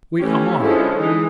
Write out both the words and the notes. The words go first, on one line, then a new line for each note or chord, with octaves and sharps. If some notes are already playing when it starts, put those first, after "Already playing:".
We are.
E3 A3 C#4 G4
D3 F3 G#3 C#4 E4
E3 G#3 D#4